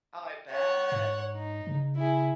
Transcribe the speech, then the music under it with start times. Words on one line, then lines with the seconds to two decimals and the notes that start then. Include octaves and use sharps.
I bet!
0.51 C#5 F#5
0.92 G#2
1.33 D#4
1.67 C#3
1.95 E4 G#4